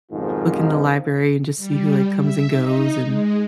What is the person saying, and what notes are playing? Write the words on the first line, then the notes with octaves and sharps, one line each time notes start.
look in the library and just see who," like, "comes and goes and
B1 F2 G#2 D#3 F3 F4
G3
E5
D#4
G#3